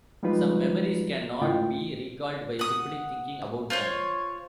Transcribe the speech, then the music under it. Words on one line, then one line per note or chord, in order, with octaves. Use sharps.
Some memories can not be recalled by simply thinking about them.
F3 G3 G#3 D#4 F4 B4
G#2 C#3 A3 E4 F4 G5
F#5 D#6
F4 C5 C#5